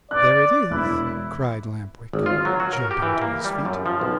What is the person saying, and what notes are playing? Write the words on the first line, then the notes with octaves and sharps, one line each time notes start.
"There it is!" cried Lamp-Wick, jumping to his feet.
D5 F#6
E1 E4 F#6
G#1
F4
F#3
F#4
A#4
G4
E3
A#3
G3
F#2
F3
B1